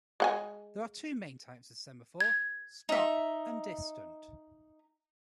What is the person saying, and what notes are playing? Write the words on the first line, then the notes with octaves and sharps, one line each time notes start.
There are two main types of semaphore; stop and distant.
G#3 F#5 G#5
G#6
D#4 E5